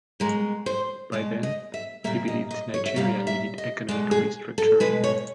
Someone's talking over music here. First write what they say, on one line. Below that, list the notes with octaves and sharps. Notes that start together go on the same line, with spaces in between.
By then, he believed Nigeria needed economic re-structuring.
B2 G#3 A#4
C5
B2 G#3 D5
D#5
E5
A#2 G3 A#3 E5
D#5
D#5
C#5
E5
A#2 G3 A#3 F5
E5
D#5
B2 G#3 D5
G#4
A4
B2 G#3 B4
C#5